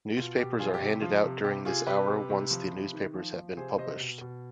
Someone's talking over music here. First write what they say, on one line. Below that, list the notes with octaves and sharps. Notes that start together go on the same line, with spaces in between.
Newspapers are handed out during this hour once the newspapers have been published.
B2 F4
B2 G4
F3 F4 G#4
G4
C3
G4
F3 F4
C3
C3 G4
C3 F4 G#4
C3 G4 B4
C3
C3
F3
C3
D#3
F3
F3
C3 G#4 C5
C3 C5 D#5
B2
B2